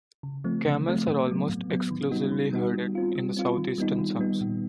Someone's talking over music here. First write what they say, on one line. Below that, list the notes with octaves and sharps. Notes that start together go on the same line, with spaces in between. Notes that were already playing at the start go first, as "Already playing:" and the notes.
Camels are almost exclusively herded in the southeastern sums.
C#3
F3 A3 C4
C#3
F3 A3 C4
A2
F#3 B3
A2
F#3 B3
D#3
G3 B3 D#4 F#4
D#3
G3 B3 D#4 F#4
G3
C4 F4
G3
C4 F4
D#3
G3 B3 D#4
D#3
G3 B3 D#4
A#2